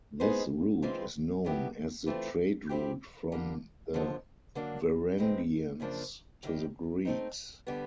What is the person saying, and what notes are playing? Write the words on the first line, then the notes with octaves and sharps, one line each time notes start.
This route is known as the trade route from the Varangians to the Greeks.
G#3 B3 D#4 G#4 C5
G2 E3 G#3 C4 F4
A2 F#3 B3 E4 G4
E3 A3 C4 F4
G3 C4 E4 G4
D3 G3 A#3
D#2 D3 F3 G#3
D3 F#3 A#3 D4
G2 E3 G#3 C4
F#2 C#3 F3 A#3 D4
F#2 D#3 G3
A3 C4 D#4
D3 G3 B3